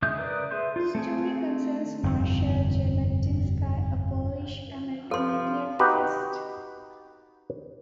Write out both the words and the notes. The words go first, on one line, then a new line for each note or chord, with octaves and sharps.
The story concerns Marshall Zebatinsky, a Polish-American nuclear physicist.
C#3 G#3 E5 D#6 G6
A#4 B4 D5 D#6
G#4 B4 E5 C6 G6
F4
A3 C4 G#4
G1 F2 G#2 C3
C3 F3 A4 B4 F5 C6
D#4 F#4 G4 B4